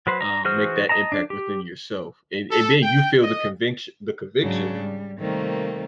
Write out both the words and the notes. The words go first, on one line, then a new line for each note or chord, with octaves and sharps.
um, make that impact within yourself. And and then, you feel the conviction the conviction,
F#3 B4 C5
A#5
E3 F#4 G#4 C5 F6
D#5 A5 A#5
D4
G4
A4
G5
D#5
G#2 C#3 F#3 D4
G3
C3 D#3 G3 A3 A#3 C4